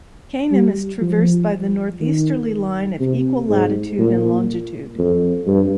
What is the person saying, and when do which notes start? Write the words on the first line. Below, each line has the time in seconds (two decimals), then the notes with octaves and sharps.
Kanem is traversed by the northeasterly line of equal latitude and longitude.
0.52 G3
1.01 F3
2.01 D#3
3.00 C3
3.49 G#2
3.99 A#2
4.99 F2
5.47 G2